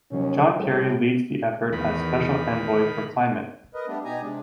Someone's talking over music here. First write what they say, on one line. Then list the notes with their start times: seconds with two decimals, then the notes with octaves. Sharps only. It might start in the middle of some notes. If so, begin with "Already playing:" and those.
John Kerry leads the effort as Special Envoy for Climate.
0.12 D#2 C3 F3 F#3 C#4
0.60 A2 G3 C4 G#4 A4
1.73 E2 D#3 B5
3.74 A#4 B4 D#5
3.87 G3 A3 B3 D4
4.05 B2 D#4 G4 G#5 A#5
4.21 C3 G#3 D4